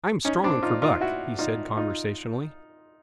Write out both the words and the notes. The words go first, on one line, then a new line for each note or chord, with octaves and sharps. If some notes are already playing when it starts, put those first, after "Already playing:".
"I'm strong for Buck," he said conversationally.
C#4 D#4
C4 D4
D#4 F4
D#4 F4
E4 F#4
D#4 F4
D#4 F4